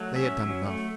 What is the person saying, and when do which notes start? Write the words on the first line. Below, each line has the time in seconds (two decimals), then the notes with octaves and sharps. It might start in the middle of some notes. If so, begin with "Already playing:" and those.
They had done enough.
Already playing: F#3 A3
0.16 C#4 E5
0.41 F#3
0.65 A3